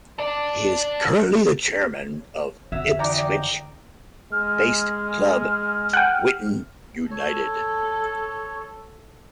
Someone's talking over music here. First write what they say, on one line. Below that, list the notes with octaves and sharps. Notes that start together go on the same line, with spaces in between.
He is currently chairman of Ipswich-based club Whitton United.
D4 D5
F2 D3 F#3 E5
E3 D#4 F#4 D5 G5 A#5 D6
G#3 F6
F#5 G5
A4 C#5